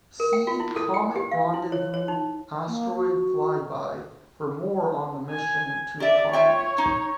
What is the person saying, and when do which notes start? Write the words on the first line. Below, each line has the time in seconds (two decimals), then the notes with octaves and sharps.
See Comet Rendezvous Asteroid Flyby for more on the mission to the comet.
0.20 A#4
0.33 G5
0.47 F4
0.60 E4
0.76 A4
0.94 G5
1.16 G4
1.32 F5
1.54 E4
1.72 C#5
1.94 C#5
2.08 D#4
2.68 A#3
2.95 F#4
5.30 G#5
6.00 G4 D5 E5
6.33 F4 C#5 E5 G5
6.78 D#4